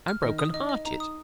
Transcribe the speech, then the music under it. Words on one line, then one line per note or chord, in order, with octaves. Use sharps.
I am broken-hearted.
F6
D#3 D#5
D#6
D#4 D#5
D#5
D#4 A#5
D#6